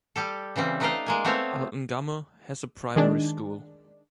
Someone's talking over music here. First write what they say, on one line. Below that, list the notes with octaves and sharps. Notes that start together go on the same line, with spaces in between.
Altengamme has a primary school.
G3 G4 A4
C#3 E3 G3 C4
A3 D#4 B4 D5 D#5 F5
G#3 A#3 G#5
A3 B3 C4 C#5 E5 F5
D#3 G#3 D4